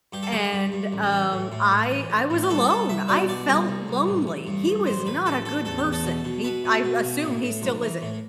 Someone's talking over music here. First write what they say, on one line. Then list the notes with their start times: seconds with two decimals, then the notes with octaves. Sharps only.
And, um, I I was alone. I felt lonely. He was not a good person. He I assume he still isn't.
0.13 G2 G4
0.23 A4
0.32 D3 G4
0.52 G2
0.72 G2
0.93 A1
1.12 E3
1.32 A2
1.52 A2
1.71 A2
1.91 E3
2.10 A1
2.30 A2
2.43 G4
2.50 C2 A4
2.69 C2 A4
2.89 C2 E5
3.08 B2 D5
3.28 B2 D5
3.48 C2
3.69 C2
3.88 C2
4.08 A1
4.27 A1
4.47 G2
4.67 G2
4.86 A1 C5
5.06 A1 B4
5.26 A1 A4
5.45 A1 A4
5.65 E2 A4
5.78 G4
5.84 E2
5.93 A4
6.05 B2
6.24 B2
6.44 B2 B4
6.64 B2
6.84 B2
7.04 B2
7.22 A2
7.42 A2
7.62 B1
7.83 E3
8.02 A2